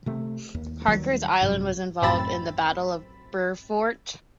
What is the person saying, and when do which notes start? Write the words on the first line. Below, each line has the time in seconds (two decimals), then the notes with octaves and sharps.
Harkers Island was involved in the Battle of Beaufort.
0.06 C3 A3
0.55 D#2
0.88 D#2 D#3 F#3 G3
1.41 A1 G2 C3 F#3
2.02 A1 F#2 C4 B5 E6 A6